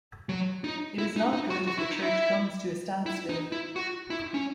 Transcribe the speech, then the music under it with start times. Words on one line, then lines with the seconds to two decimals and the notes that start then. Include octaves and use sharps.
It is not good if the Church comes to a standstill.
0.29 F#3
0.64 D#4
0.98 E4
1.16 D#4
1.33 D#4
1.50 F#4
1.67 F#4
1.78 E4
1.91 D#4
2.02 E4
3.06 E4
3.29 D#4
3.52 E4
3.76 F#4
4.10 E4
4.34 C#4